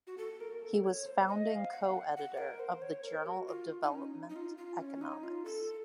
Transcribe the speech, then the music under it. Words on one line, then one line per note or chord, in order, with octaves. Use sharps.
He was founding co-editor of the Journal of Development Economics.
F#4
A4
A#4
A4
C#5
C5
D#5
F5
F#5
F5
F#5
F#5
A#4
C5
C#5
A#4
F#4
F4
D#4
C#4
D#4
D#4
F4
F4
C#4
D#4
F4
A4